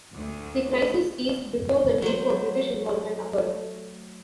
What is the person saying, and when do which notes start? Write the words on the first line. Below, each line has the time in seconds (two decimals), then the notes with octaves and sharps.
The crisis eased before the need for British involvement occurred.
0.13 D2
2.02 F#3 A3 C5